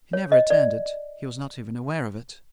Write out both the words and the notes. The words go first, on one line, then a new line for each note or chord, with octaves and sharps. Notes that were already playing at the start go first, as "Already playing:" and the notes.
He never returned it--he was not even aware of it.
C#5
D#5
D5